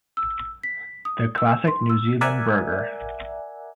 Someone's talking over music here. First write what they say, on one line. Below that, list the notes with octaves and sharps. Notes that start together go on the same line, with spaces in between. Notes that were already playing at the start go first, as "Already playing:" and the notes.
The classic New Zealand burger.
E6
B6
D#6
E6
C6
E6
A#4 D5 E5 F#5 G#5